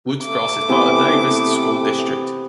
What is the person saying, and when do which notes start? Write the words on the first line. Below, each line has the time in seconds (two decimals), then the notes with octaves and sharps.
Woods Cross is part of Davis School District.
0.24 A3 D6
0.69 C3 E3 B3